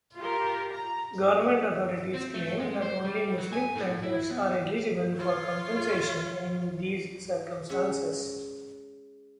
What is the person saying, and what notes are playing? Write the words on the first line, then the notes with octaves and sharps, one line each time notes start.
Government authorities claim that only Muslim plaintiffs are eligible for compensation in these circumstances.
F4 G4 A#4
A#5
C4
A3
G#3
C5
G3
F#3
G#5
A2
E4
B3
F4 C#5
G#3 C#4 E5 F#5